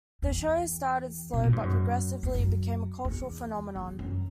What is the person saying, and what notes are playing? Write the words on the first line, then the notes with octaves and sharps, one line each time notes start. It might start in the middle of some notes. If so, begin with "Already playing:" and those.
The show started slow, but progressively, it became a cultural phenomenon.
E2
B2
A#2
G#2
F#2
E2
F#2
E2
E2
F#2